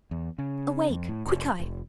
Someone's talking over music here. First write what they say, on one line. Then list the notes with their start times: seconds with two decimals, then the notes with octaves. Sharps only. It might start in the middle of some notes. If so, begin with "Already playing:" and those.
Awake! Quickeye!
0.11 E2
0.38 C#3
0.90 F2
1.08 A2
1.26 F1
1.60 F1